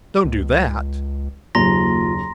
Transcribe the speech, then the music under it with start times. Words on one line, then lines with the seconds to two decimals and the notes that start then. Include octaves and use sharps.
"Don't do that!"
0.25 C#2
1.55 F#1 D#2 F4 A#5 C6 A#6